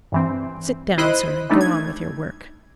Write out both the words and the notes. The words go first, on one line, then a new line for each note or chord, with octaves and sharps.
"Sit down, sir, and go on with your work."
G2 E3 C4
C2 E4 C5 D#5 B5 F#6
E3 G3 A3 D4 D#4
G#6